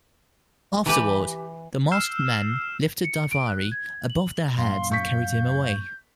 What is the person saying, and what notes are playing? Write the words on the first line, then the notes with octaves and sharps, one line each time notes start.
Afterward, the masked men lifted Daivari above their heads and carried him away.
E3 G4 B4 G#5 A5
E6 F6 G6 C7 E7
C#7
D7
F#6
G#6
F#7
F#2 A#2 F5 C6
C#6 G6 B6